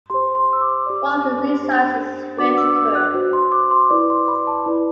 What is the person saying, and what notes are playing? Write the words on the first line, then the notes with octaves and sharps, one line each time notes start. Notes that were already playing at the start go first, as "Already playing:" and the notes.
Wall resides in Swift Current.
G4 C5 C6
C6
E6
D6
G4 D5
D4 G4 C5
D4 F#4 B4 D5 D6
D6
E6
E6
F#6
F#4 C5
C6
D6
C6
E4 B4 D5 D6
C6
B5
A5
E4 B4 D5